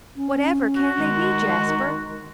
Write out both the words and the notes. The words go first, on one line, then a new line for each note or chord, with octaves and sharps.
"Whatever can they be, Jasper?"
C#4
F#4
D#3 G#3